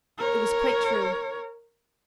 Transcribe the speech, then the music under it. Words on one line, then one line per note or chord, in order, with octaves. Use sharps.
It was quite true.
A#4 C#5